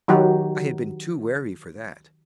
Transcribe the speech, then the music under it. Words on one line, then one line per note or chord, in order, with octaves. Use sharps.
I had been too wary for that.
D#3 F#3 D#4 F#4 G4